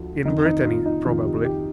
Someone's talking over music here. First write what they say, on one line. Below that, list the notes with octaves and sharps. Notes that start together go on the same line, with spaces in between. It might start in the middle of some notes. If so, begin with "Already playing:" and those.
"In Brittany, probably."
Already playing: D2 F3
F2 D#3 D#4
D#4
F4
D#4
F2 D#3 F4
G4
G4